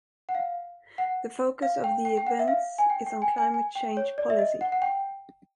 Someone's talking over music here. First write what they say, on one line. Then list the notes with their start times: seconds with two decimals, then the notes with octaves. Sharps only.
The focus of the events is on climate change policy.
0.29 F#5
0.35 F5
0.98 F#5
1.62 F5
1.84 G5
2.05 G5
2.17 G5
2.27 F#5
2.39 E5
2.48 F5
2.78 G#5
2.90 G5
3.06 G5
3.22 G#5
3.38 G#5
3.54 G#5
3.75 G5
3.97 C#5
4.18 D5
4.30 E5
4.39 D#5
4.61 F#5
4.72 F#5
4.82 G5